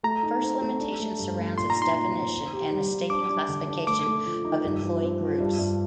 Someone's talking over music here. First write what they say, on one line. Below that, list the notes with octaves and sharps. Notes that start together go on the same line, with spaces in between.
The first limitation surrounds its definition and mistaken classification of employee groups.
A3 A#5
D#4
C4
A3
D4
A3
G2
A3
A#2 C6
A#5
D#4
C6
A#2
C4
C4
G4
G3
G3
D4 D6
D4
D3
D4
A3 D6
A3
F3
D#4
G2
F3
C4
F3
G2
G2